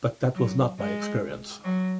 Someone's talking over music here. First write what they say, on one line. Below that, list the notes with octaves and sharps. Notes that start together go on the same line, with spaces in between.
But that was not my experience.
F#3
G#3
F#3